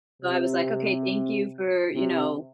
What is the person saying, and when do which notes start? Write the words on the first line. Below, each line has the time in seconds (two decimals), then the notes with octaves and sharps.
So, I was, like, okay, thank you for, you know?
0.23 C3
1.95 C3